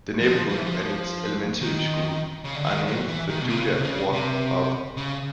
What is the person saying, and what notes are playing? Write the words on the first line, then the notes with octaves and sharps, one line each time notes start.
The neighborhood and its elementary school are named for Julia Ward Howe.
F3
F3
E3
F3
D#3
C#3
D3
D#3
F#3
E3
D#3
B2
C3
C#3
C3
C#3
C3
C#3